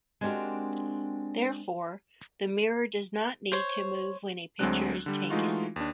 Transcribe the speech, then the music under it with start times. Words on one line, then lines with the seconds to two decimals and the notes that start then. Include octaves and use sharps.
Therefore, the mirror does not need to move when a picture is taken.
0.21 G#3 C4 D4 F#4 G4 A#4
3.52 C5 C#5
4.59 D2 F#3 G#3 C4 D4 F#6
5.06 D3 G3
5.30 E3 G#3 A3 D#4 F4 F#4
5.76 D#2 D4